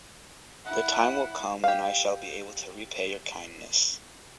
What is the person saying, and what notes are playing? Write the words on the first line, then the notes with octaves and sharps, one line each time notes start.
The time will come when I shall be able to repay your kindness.
E4 F#5
G4 F5